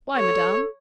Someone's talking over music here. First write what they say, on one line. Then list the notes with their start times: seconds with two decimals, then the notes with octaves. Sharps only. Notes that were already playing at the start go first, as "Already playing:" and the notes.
"Why, madame?"
0.16 A4 C#5